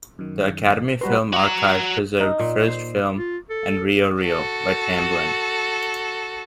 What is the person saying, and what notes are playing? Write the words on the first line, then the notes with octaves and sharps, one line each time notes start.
The Academy Film Archive preserved "First Film" and "Rio Reel" by Tamblyn.
F#2 D#3
G3 F#4 B4 C5 A#5 C6
F#4 A#5
D#4
A#2
C5
F4
A4
F#4 A4